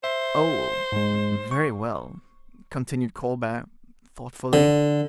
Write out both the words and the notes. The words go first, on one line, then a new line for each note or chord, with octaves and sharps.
"Oh! very well," continued Colbert, thoughtfully.
C5 E5
G#2 G#3
C#6
D3